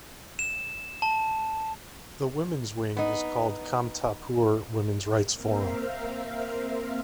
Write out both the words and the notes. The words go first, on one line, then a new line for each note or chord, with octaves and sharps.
The women's wing is called Kamtapur Women's Rights Forum.
E7
A5
B3 D#4
A#3 C4 A#4 C5 E5 F5